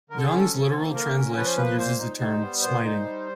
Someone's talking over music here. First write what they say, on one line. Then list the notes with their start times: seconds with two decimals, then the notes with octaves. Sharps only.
Young's Literal Translation uses the term "smiting".
0.10 D3 A#4
0.18 A4
0.26 G#4
0.31 C#4 A4
0.53 F3
0.74 A#3
0.95 D3 A#4
1.16 C#4
1.36 F3 B4
1.47 C5
1.57 A#3 B4
1.78 A#2 C5
1.99 D#4
2.21 G3
2.41 B3
2.62 A#2 C5
2.84 D#4
3.05 G3